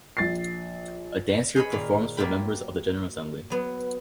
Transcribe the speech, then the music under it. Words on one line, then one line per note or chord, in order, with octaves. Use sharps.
A dance group performs for members of the General Assembly.
A#1 A6 C7
G#4 C#5 D#5 B5
A#2 D#3 F5 B5
F#3 A#3 F4 E5 G5 B5
F#3 B3